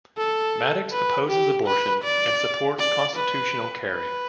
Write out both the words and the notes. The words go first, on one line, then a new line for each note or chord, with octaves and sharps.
Maddox opposes abortion and supports constitutional carry.
A4
B4
G4
B4
D5
D5
B4
B4